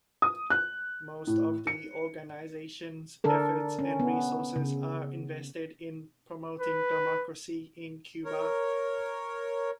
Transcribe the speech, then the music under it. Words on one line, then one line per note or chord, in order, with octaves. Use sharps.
Most of the organization's efforts and resources are invested in "promoting democracy in Cuba".
D#6
F#6
A2
C#7
D3 D4 A4 A#4
C#4
B3
C#3
B4
A#4 C#5